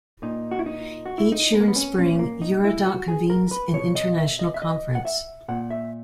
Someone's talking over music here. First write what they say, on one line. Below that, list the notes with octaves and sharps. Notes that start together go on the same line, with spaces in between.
Each year in Spring, Eurodoc convenes an international conference.
A#2 D#4
F#4
E4
D#4
F#4
E4
D#4
B3
A#3
B3
C#4
A#2 C#4
A#3
D#4
E4
F#4
G#4
A#4
B4
B2 C#5
D#5
E5
D#5
E5
D#5
F#5
E5
A#2 F#5
E5